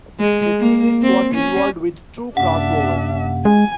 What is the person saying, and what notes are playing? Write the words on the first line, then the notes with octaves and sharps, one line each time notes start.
The series was involved with two crossovers.
G#3
A#3
C4
C#4
F#2 C3 A#3 D4 E5 F#5
G#3 G#5